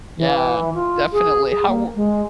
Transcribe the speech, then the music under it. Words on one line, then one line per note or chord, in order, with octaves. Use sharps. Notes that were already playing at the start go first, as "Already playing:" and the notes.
Yeah, definitely. How w
E3
F4
G#4
G#4
A#3
G#3